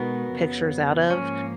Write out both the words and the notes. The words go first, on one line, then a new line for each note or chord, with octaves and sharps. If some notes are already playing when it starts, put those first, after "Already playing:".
pictures out of.
Already playing: B2 G#3 B3 D#4 F#4 A#4
F2 C#3 F#3
G#2 F3 A#3 C#4